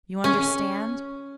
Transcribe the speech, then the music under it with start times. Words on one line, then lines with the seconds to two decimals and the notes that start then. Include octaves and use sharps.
You understand?
0.24 C#4